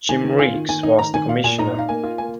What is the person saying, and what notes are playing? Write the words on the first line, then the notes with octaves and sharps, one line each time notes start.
Jim Riggs was the commissioner.
D#3 G#5
D#3
F4 G#5
D#3
D#3 G#5
D#4
D#3 A#5
D#3 G#5
A#2 F5
A#2 G#5
D#4 A#5
D#4 F5
A#3 G#5
F4
A#3 G#5